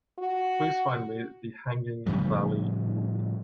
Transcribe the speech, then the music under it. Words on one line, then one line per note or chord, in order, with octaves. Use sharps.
Please find me The Hanging Valley movie.
F#4
A2 C#3 F3 G3